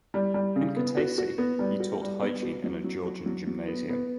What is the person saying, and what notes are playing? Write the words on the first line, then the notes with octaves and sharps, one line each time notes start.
In Kutaisi he taught hygiene in a Georgian Gymnasium.
G3
G3
C#3
B3
F#4
F#4
B3
G3
F#4
G3
B3
F#4
F#3
F#3
F#4
F#3
F#3
B3
B3